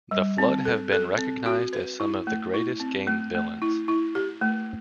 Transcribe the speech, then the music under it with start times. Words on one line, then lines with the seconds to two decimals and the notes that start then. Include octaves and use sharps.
The Flood have been recognized as some of the greatest game villains.
0.11 G3
0.38 C4
0.65 A4
0.92 A4
1.19 C4
1.46 F#4
1.73 B4
2.00 E4
2.27 A3
2.54 E4
2.80 C4
3.07 A3
3.35 A3
3.62 E4
3.88 E4
4.15 G4
4.41 A3